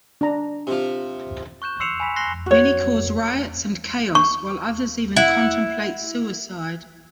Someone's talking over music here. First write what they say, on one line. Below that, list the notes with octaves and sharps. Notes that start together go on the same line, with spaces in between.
Many cause riots and chaos, while others even contemplate suicide.
D4 A#5
C3 F3
C#6 F#6 G6 E7
C6 E6 C7 C#7 E7 F7
G#5 B5 B6 F7
C6 F#6 A#6 C7 G7
F#4 C#5
C#6
E4 F#5